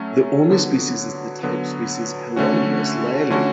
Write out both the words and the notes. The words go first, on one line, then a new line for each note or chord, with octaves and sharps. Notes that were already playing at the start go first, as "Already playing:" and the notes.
The only species is the type species Hylonomous lyelli.
Already playing: F#3 A3 C#4
D3 F#3 B3
D3 F#3 B3
D3 A3 C#4 F#4
D3 A3 C#4 F#4